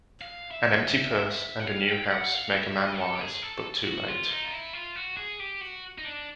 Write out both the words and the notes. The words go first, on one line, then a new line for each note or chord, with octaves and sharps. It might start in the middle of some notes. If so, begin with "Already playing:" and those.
An empty purse, and a new house, make a man wise, but too late.
F5
E5
F#5
F5
G5
F5
F#5
F5
E5
D#5
A4
G4
G#4
A4
F#4
F4
D#4
F4
E4
F4
F#4
G#4
G4
F#4
D#4
D4